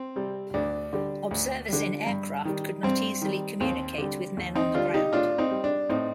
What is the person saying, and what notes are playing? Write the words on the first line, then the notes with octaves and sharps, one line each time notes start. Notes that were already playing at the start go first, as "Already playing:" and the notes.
Observers in aircraft could not easily communicate with men on the ground.
Already playing: C4
C3 G3
D2 D4
D3 G3
D2
D3 G3
G2
D#3 G3
G2 C4
D#3 G3
D#2 C4
D3 G3
D#2
C4 D#4
D3 G3 D4 F4
D#4 G4
A2 D4 F4
C4 D#4
G3
D4
A2 C4 D#4